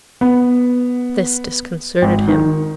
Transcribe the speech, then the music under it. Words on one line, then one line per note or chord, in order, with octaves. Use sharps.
This disconcerted him.
B3
G#1
D#3